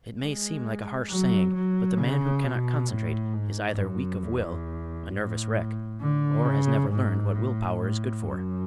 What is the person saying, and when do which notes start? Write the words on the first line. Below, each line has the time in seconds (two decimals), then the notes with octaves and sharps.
It may seem like a harsh saying, but the man who cannot concentrate is either weak of will, a nervous wreck, or has never learned what will-power is good for.
0.21 G#3
1.10 F#3
1.54 F#3
2.00 C#3
2.44 B2
2.89 A2
3.33 G#2
3.78 F#2
4.22 E2
5.12 A2
6.00 D3
6.45 C#3
6.90 G#2
7.35 A2
7.80 A2
8.24 F#2